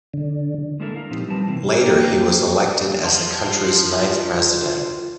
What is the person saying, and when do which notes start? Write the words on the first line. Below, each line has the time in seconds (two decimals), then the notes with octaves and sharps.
Later he was elected as the country's ninth president.
0.13 D3
0.80 G#3 A#3 D4 E4 A4 A#4
0.94 A#4 F5 A#5
1.10 A#2 F3 C4 D#4 E4 G4
1.28 G3 C4 A#4 B4 A5
1.47 C3 E3 A#3 C4
1.81 A#3 G4
3.04 F4 A5